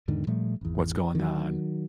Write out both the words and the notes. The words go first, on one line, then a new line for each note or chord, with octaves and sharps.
what's going on
E2 G#2 D3 D#3
A#2 F3 G3 A3
G#1 E2
D#3 F#3